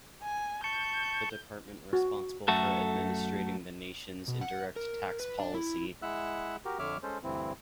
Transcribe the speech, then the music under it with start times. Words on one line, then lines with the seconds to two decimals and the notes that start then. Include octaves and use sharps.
The department responsible for administrating the nation's indirect tax policy.
0.23 G#5
0.64 A5 C#6 G6
1.93 F#4
2.48 F#2 A3 F#4 A4
4.28 B2
4.41 F#5
4.76 A#4
5.20 B4
5.40 D4
5.54 E4
6.02 G#3 E4 E5 F#5 E6 F#6
6.65 F#4 G4 A#4
6.79 F2 D3 C#5 E5 D6 F6
7.03 G#3 C#4 A4 C5
7.24 D2 G2 E3 C4 E4